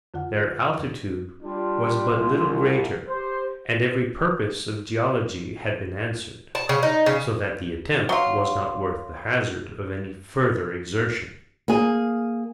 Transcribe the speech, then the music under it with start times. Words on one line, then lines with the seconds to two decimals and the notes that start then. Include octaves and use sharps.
Their altitude was but little greater, and every purpose of geology had been answered; so that the attempt was not worth the hazard of any further exertion.
0.14 F2 D3 F4 F#5
1.42 G3 D4 F4
2.10 C2
3.09 G4 C5
6.55 A5
6.69 C#3
6.83 D#4
7.06 C#3
8.09 F#3 F4
11.68 A#3 G#4